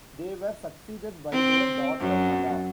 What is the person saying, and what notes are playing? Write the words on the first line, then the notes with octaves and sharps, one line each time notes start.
They were succeeded by their daughter Ada.
C4
F#2